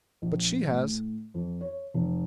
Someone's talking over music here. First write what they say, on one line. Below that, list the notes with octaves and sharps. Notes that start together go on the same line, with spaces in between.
But she has.
A#1
A2
F2
C#5
F1